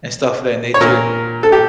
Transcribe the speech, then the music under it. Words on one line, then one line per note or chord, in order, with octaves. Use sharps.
and stuff of that nature.
C#5
A#2 A#4
A4
G4